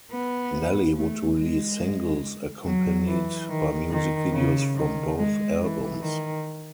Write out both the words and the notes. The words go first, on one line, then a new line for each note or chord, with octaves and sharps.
Nelly would release singles accompanied by music videos from both albums.
B3
A3
G#3
F#3
E3
D#3
D#3
C#3
D#3
G#3
E3
D#3